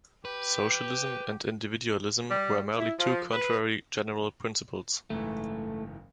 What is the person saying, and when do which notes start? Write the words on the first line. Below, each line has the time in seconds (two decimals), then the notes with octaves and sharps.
Socialism and individualism are merely two contrary general principles.
0.25 G4 B4
2.30 G3
2.78 E4
3.00 F3
3.31 B4
5.10 F#1 G#2 E3 A3